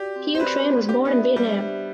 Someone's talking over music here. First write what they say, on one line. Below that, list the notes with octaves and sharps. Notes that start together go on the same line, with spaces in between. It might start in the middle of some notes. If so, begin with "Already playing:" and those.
Hieu Trinh was born in Vietnam.
Already playing: F#4 G4 D5
C4
C5
B4 D5
D5
D4 G4
B3
E5
G3 C5
G4